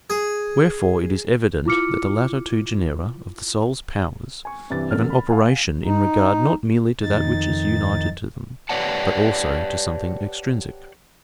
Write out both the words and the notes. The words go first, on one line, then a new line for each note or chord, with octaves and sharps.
Wherefore it is evident that the latter two genera of the soul's powers have an operation in regard not merely to that which is united to them, but also to something extrinsic.
G#4
E4 F4 D6 F6 C#7
G#5 C#6
G2 C3 E3 D4 A6
A1 E2 C#3 A3 A#4 F6
B5
F5 F#5 G#5
D#4
F2 D#3 D#4 A6
G4 B4 C#5 D5 F#5 A5